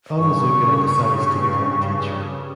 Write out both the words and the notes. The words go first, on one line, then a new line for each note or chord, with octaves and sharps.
Onizuka decides to become a teacher.
G2 C#3 C#6